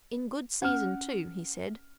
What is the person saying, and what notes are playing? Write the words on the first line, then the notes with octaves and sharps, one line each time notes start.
"In good season, too," he said.
C#4 F#5 F6